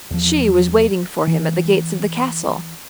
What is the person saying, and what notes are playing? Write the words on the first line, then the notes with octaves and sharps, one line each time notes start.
She was waiting for him at the gates of the castle.
E2 F3
E3